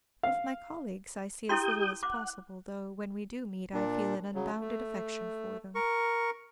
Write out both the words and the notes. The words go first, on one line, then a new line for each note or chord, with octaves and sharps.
Of my colleagues I see as little as possible, though, when we do meet, I feel an unbounded affection for them.
F5
E4 G4 G5 C6 D#6 G6
F#5 D6
A#2 D4
C#3 F#3
A3
A#4 C#6